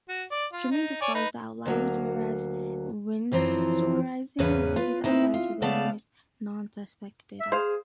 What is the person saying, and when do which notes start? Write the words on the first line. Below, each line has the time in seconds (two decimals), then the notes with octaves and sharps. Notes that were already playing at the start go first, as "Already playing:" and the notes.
Trimming discards the outliers whereas Winsorising replaces the outliers with the nearest "nonsuspect" data.
0.09 F#4
0.31 D5
0.53 F4
0.71 D#4
1.01 C#5 D5 G#5
1.14 D#4 B4
1.66 D2 F#3 A#3
3.31 F#2 E3 F3 C4 A#5
4.39 E2 G#2 C#3 C#4 B4
4.76 F4 B4
5.04 C4 D#4 E4
5.34 F4
5.62 C#3 A3 B3 D5 F5 A5
7.39 E5
7.52 G#4 C5 F5